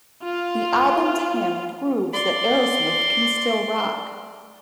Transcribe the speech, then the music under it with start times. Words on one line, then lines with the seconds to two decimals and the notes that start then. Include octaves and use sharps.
The album, to him, proves that Aerosmith can still rock.
0.23 F4 F5
2.13 D5 C6